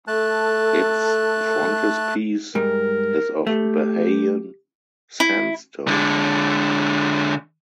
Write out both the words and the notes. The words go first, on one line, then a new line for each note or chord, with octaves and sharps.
Its frontispiece is of Bahian sandstone.
A3 A4 A5 F#6
G#2 G3 A#4
A3 G4
E4
D3 G#3